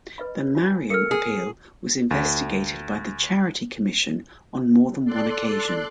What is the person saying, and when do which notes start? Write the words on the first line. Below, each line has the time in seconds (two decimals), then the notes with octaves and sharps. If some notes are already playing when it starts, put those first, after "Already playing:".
The Mariam Appeal was investigated by the Charity Commission on more than one occasion.
0.18 B4 D#5 B5
0.55 F4 G#5 B5
0.90 A4 A#4 F6 C#7
1.11 G#4
2.11 D2
5.04 A4 D5 C6 F#6